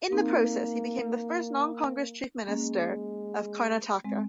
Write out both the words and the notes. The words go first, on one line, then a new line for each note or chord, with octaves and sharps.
In the process, he became the first non-Congress chief minister of Karnataka.
A#3 C4 D#4
G#3 A#3 C#4
G#3 C4